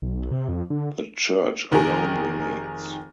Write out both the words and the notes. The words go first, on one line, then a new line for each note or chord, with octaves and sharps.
The church alone remains.
B1
C3
F2
D3
F1 D#3 G4 G#4 A#4